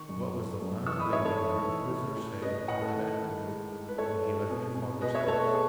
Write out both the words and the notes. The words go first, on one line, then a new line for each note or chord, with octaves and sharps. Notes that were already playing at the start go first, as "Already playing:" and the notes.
"What was the last thing you heard the prisoner say that afternoon when he left your father's house?"
Already playing: D#3 C#6
F#2
A3
F#2
E3 C#6 E6
B5 D#6
D#4 C#5 E5
A4 C#5
E3
E3
A2
A2
C#4 B4 D#5
A2 D#5 F#5
A4
D#3
D#3
G#2
G#2
B4
A3 A4 C#5
E4
B2
B2
B2 B4 D#5
C#5 E5
B4
A3 A4 C#5
G#4